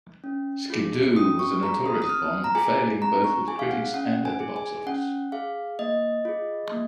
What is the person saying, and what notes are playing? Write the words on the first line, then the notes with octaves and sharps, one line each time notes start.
"Skidoo" was a notorious bomb, failing both with critics and at the box office.
C#4
F4 G#4
C#4 D#6
C#6
F4 G#4 A#5
D#6
D#6
C4 F6
A#5
F4 G#4 G#5
C4 A#5
C#6
F4 G#4 G#5
F5
F#5
C#4 F#5
G#5
G#4
G#5
C#4 F#5
G#4 F5
A#3 D#5
F4 G#4
A#3